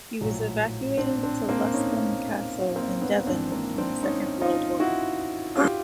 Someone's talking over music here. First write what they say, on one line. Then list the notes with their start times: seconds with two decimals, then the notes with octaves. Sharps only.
He was evacuated to Luscombe Castle in Devon in the Second World War.
0.21 A#1 A2 F#3
0.97 C4 D4
1.23 C4 D4
1.49 A#3 C4
1.74 C#4 D#4
2.76 A#3 C4
3.02 B3 C#4
3.27 G#1 G#2 E3 C4 D4
3.52 A#3 C4
3.78 C4 D4
4.03 C#4 D#4
4.41 D#4 F4
4.80 E4 F#4
5.56 F4 G4